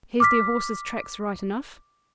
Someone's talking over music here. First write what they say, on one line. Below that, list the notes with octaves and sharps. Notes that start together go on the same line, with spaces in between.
Here's their horses' tracks right enough.
D6 F6 B6